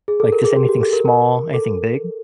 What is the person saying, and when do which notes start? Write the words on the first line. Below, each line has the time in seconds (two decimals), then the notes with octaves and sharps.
Like, just anything small, anything big?
0.08 G#4
0.20 A4
0.32 A#4
0.45 G#4
0.56 G4
0.69 G4
0.81 A4
0.93 A#4
1.05 A#4
1.54 A4